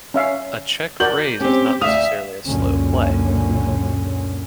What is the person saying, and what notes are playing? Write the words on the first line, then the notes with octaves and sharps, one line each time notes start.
A check-raise is not necessarily a slow play.
C#4 E5 F5
F#4 A#4 D5 G6 F#7
C4 C#4 G4
D2 E5 F5 D#6 F7
C#2 F#2 A#2 D3 C#4